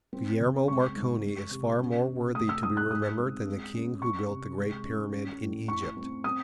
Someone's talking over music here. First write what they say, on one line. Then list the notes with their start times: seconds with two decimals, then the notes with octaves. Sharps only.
Guglielmo Marconi is far more worthy to be remembered than the king who built the great Pyramid in Egypt.
0.13 C4
0.40 C#3
0.68 G#3 C#6
0.95 G#2
1.24 G#3
1.51 C3
1.80 C#4
2.08 C3
2.35 A3 D#6
2.49 E6
2.63 G#2 D#6
2.77 F#6
2.91 G#3 D#6
3.18 C4
3.46 G#3
3.75 C#4
4.02 C#4 C#6
4.30 C3
4.57 G#3
4.85 C#4
5.13 C#4
5.41 A2
5.68 A3 C#6
5.97 C4
6.24 C4 D#6